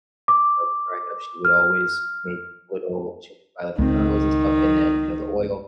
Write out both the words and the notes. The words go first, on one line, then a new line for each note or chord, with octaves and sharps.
like, growing up, she would always make little she would just buy, like, the kernels, and stuff, and then, you know, the oil,
D6
F6
C#2 D#3 C4